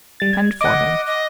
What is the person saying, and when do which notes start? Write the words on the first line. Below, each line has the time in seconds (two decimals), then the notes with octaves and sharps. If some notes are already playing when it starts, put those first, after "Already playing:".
Send for him.
0.20 G3 A6
0.33 G#6
0.61 D#5 F#5 D6
1.07 D#5